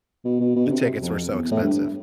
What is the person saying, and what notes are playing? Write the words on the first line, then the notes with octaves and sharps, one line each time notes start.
The tickets were so expensive.
B2
B2
B2
D3
C3
F2
E2
A2
G2